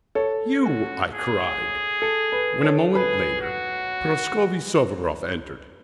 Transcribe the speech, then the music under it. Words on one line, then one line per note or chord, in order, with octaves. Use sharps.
"You?" I cried, when a moment later Prascovie Souvaroff entered.
A4 C#5
F#4
G#4
A4
B4
A4 C#5
G#4 B4
F#4